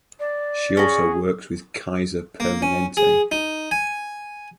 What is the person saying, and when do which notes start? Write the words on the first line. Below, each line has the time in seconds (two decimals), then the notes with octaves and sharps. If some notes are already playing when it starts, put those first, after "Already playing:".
She also works with Kaiser Permanente.
0.20 D5
0.77 C#4 F#4 G#4
2.40 A#3
2.62 C#4
2.97 G#4
3.32 D#4
3.71 G#5